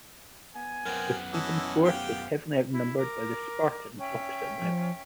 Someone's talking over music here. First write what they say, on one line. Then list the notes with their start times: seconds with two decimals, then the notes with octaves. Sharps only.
The Theban force was heavily outnumbered by the Spartans opposite them.
0.55 B3 G#5
0.85 F#2 B3 C4 A#4
1.33 E3 C#4 E4 D#5 A5
1.85 G4 F5 G5
2.72 E4
2.97 A#4 D6
3.99 C#4 E5 G5
4.59 F3